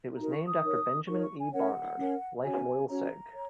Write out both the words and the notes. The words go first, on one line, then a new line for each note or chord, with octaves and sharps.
It was named after Benjamin E. Barnard, life loyal Sig.
D#4 F#4 A#4 A#5
C#6
D#6
D#4 A#4 C#5
D#4 A#4 C#5 C#6
C#6
G#5
C#4 A#4 C#5 F#5
C#4 A#4 C#5
C#4 F#4 C#5 G#5
C#4 F#4 C#5 A#5
C#5